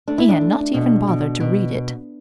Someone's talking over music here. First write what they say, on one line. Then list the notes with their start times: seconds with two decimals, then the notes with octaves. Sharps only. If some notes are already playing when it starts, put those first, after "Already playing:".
He had not even bothered to read it.
0.08 A3 D4
0.18 E4
0.29 D4
0.41 A3
0.74 B2
1.07 B2
1.40 B2